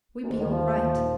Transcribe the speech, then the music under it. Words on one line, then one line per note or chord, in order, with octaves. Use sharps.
We be all right.
F#2
D#2 G#2
D#3
D#2
F3
D#3
D#2
A#2